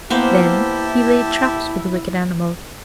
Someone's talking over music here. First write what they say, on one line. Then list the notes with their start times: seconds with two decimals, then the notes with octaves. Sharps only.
Then he laid traps for the wicked animal.
0.10 A#3 B3 E4 G4 C5 A5